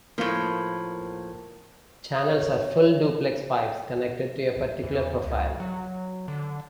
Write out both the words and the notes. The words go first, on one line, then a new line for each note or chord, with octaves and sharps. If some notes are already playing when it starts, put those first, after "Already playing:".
Channels are full-duplex pipes connected to a particular profile.
A2 F3 A#3
D#6
C#5
G5
E2
C#2
F#3
D3